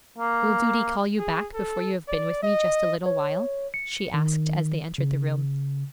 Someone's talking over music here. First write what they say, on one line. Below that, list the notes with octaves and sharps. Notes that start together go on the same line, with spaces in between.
'Will duty call you back before you have been with me just a little while?' she asked as they entered the room.
A#3
G#4
A4
D5
D#5
C#5
C#7
D#3
C#3